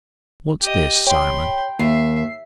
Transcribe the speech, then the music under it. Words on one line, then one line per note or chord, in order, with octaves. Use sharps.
"What's this, Simon?"
G4 D#5
C#5 G5 B5 C6
D#2 A#3 E5 C7